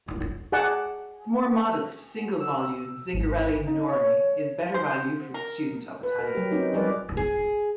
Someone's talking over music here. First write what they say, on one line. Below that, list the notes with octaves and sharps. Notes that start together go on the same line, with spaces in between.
The more modest, single-volume "Zingarelli minore" is better value for the student of Italian.
G#4 D5 F#5 A5
E6
G#1
D#4
C#5
C5
A#4
B4
A#4
F#3 G4
C4 C#4 D#4
F3 G3 G#4 A#4 B4 D5
G#4